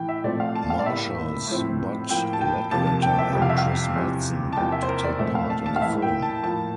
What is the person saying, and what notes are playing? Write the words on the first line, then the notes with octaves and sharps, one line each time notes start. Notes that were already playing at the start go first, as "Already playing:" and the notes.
Marshals Bud Ledbetter and Chris Madsen to take part in the film.
Already playing: A2 E3 G5
E5
A#2 F3 A3 C4 D5
F5
A5
F5
D5
A2 G3 A#3 E5
A2 F3 C4
A2 F3 A#3 G5
A5
G5
F2 C3 F3 A#3 A5
A5
G5
E5
F2 C3 G3 G5
F5
E5
F5
E2 C3 F3
A5
E2 C3 F3 A#3 G5
E5
C5
A#4
D5
A#2 F3 A3 C4 E5
F5
A5
A5
F5
A2 E3 A#3 E5
G5
A5
A2 F3 A#3 A5